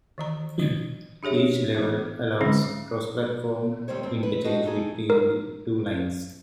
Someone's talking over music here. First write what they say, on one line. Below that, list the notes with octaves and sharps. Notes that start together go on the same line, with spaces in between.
Each level allows cross-platform interchange between the two lines.
D#3 E3 A#5
E3
D4 G4 G#4 C#5 E5
E3 B3 E5
D3 F#3 G#3 C4 C#4
D2 G3 C4 C5 C#5
G2 C4
B4
D4 F#4 G4 D#5
A3 D#4 G#4
A#4